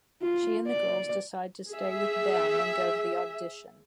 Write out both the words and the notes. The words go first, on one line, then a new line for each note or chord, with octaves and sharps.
She and the girls decide to stay with Ben and go to the audition.
F4
D5
G#4 E5